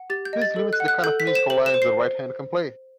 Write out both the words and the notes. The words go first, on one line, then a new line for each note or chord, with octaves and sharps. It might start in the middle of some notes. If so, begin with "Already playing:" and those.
This limits the kind of musical lines the right hand can play.
Already playing: F#5
G4 A6
G6
D#5
A6
A4
F#6
F#5
F#6
A4 G6
B6
C5
E7
C5 F#7
E7
C5
C7